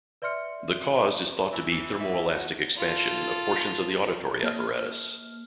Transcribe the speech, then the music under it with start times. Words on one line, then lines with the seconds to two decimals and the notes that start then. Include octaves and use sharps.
The cause is thought to be thermoelastic expansion of portions of the auditory apparatus.
0.22 B4 D5 E5 C6 F6 C#7
1.52 E3
1.71 E3
2.01 E5
2.35 F#4
2.77 F4 A4
4.43 A#3 F6